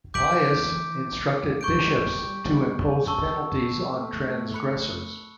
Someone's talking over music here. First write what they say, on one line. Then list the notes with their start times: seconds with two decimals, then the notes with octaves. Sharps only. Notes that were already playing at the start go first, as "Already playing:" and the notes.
Pius instructed bishops to impose penalties on transgressors.
0.14 E3 D6 G6 B6 D7 F#7
1.61 G3 C#6 G6 D7
3.07 A5 C#6 E6
3.82 A3
4.54 B5 F#6 C#7